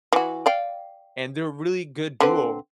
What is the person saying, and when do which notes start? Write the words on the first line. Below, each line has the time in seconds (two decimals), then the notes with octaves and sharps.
and they're a really good duo,
0.13 E3 F#4
0.46 D5 F5 G5
2.20 D3 C4 B4